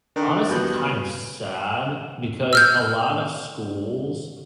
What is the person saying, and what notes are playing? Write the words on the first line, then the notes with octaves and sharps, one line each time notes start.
honestly kind of sad, because a lot of schools
D#3 D4 A4 D#5
D#2 B2 G3 G6
E6 F6 G6